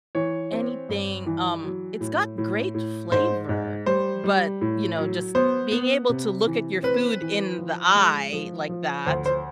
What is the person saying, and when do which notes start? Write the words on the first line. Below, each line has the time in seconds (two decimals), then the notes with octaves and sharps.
anything, um, it's got great flavor, but, you know, just being able to look at your food in the eye like that,
0.15 E3 C#5
0.53 C4
0.89 G2
1.26 E3
1.64 F#3
2.01 A2
2.38 A2
2.74 A2
3.12 G#2 C5
3.49 G#2
3.86 G3 C5
4.24 G3
4.61 A2
4.99 F#3
5.35 B3 C5
5.72 B3
6.09 C3
6.47 E3
6.83 C4 B4
7.21 E3
7.58 F3
7.95 G#3
8.33 F3
8.69 F3
9.06 D2 C5
9.26 C5